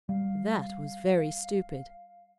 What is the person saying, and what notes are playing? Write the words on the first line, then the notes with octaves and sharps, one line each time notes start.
'That was very stupid.
G3 F5